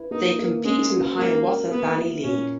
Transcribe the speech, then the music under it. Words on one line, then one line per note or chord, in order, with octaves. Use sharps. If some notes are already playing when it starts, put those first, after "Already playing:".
They compete in the Hiawatha Valley League.
Already playing: E4 B4
A#3 D#4
A#3
G#3 C#4
F#4
G#3 A#3
A#4
A#3 B3
E4
A#2 C#4